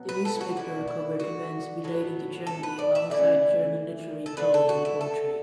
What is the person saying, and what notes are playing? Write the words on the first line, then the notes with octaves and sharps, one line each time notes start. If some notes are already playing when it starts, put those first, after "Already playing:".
The newspaper covered events relating to Germany alongside German literary prose and poetry.
Already playing: B2 F#3 B3
B4
A4
E4
F#4
D3 B3 E4 F#4
E4
F#4
A2 F#3 B3
A4
B4
D5
E5
E3 A3 E4 D5
A4
D3 A3 D4 B4
A4
F#4
E4
A4